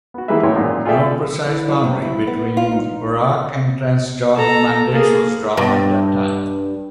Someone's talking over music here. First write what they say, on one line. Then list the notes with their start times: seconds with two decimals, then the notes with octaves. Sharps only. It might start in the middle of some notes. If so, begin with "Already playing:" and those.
No precise boundary between the Iraq and Transjordan mandates was drawn at that time.
0.14 B3 F#4
0.28 E3 G3 G#3 A#3 B4 E5
0.43 F#2 A2 E3 C#5 G5 C6
0.56 G#1 F#2 A#2
0.85 F4 G#4 A4 D5 E5 G5
1.46 E3
1.68 F#3
1.84 C3
2.02 E4
2.27 B3
2.57 F4
2.72 D#4
4.35 A4 A#5
4.92 A#3 G#4
5.57 G2